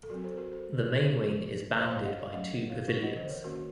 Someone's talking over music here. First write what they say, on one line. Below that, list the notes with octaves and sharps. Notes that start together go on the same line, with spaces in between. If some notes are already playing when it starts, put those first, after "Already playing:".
The main wing is bounded by two pavilions.
A4
F#3 C4 F#4 A#4
A4 C5
F#4 A#4
A4 C5
F3 A#3 C#4
C5 D#5
C#5 F5
D#5 F#5
C#5 F5
F#3 A3 C#4 D#5 F#5
C#5 F5
F4 A4
D#5 F#5
C5 D#5
A#4 C#5
D#3 A#3 C#4 F#4 A#4